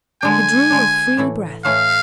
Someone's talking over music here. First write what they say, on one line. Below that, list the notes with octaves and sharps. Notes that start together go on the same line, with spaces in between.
He drew a free breath.
D3 G#3 D4 G#5
D3 G#3 D4
A2 E3 A3 E4
A2 E3 A3 E4 F5